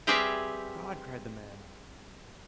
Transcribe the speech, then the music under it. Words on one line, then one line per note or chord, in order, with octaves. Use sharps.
"God!" cried the man.
G3 C4 G4 G#4 B4 E5